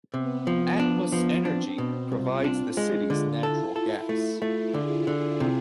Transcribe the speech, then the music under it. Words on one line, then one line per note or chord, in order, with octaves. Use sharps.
Atmos Energy provides the city's natural gas.
C3 B3
F3
D4
F3
C4 D4
B2
C2 F4
D4
G#3
D3
E4 A4
F4 A4
A3 E4
A3 F4
D3 G#4
D3 F4
C3